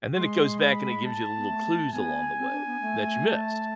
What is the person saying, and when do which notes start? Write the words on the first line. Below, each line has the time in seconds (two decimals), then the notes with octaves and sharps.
and then it goes back and it gives you little clues along the way that you missed,
0.16 G#3 C6
0.60 B5
1.05 A5
1.37 B3
1.48 A3
1.93 B3 G#5
2.37 C4
2.52 D4
2.67 B3
2.82 A3
3.27 A5